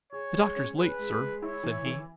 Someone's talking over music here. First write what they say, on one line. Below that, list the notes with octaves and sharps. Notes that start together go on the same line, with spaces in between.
"The Doctor's late, sir," said he.
G#4 C#5
G#3
C#4
G#4 B4
G#3
G#3
E4 C#5
E3
E3